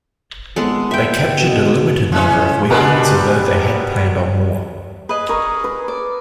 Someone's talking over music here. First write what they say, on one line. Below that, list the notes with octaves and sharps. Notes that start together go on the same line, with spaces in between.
They captured a limited number of weapons, although they had planned on more.
G#1 A2 G#3 B3 A4
G2 E5 G5
B2
E3 G#3 C#4
B2 G3 G#3 D4 A#4 B4
G#4 B4 D#5
A#4 C#6
B4
D5